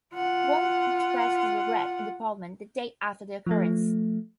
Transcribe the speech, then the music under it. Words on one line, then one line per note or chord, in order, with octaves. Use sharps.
Wong expressed his regret in Parliament the day after the occurrence.
F4 F#5
F3 A3